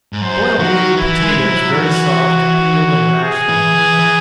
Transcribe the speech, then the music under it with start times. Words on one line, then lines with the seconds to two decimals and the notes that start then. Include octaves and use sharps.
Boil mealy potatoes very soft, peel and mash them.
0.13 G#2
0.21 F#2 C5
0.59 D#3 F#4
0.97 E3 E4
1.22 G#3
1.38 G#3
1.48 F#3
1.73 E3 F#4
3.24 G#4
3.49 E3
3.75 E3
3.99 E3